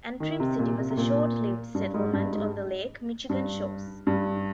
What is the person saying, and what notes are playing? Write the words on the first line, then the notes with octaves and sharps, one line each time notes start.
Antrim City was a short-lived settlement on the Lake Michigan shores.
D#3
C3
A#2
C3
C3
A#2
G2
G#2
G2
G#2
G2
G2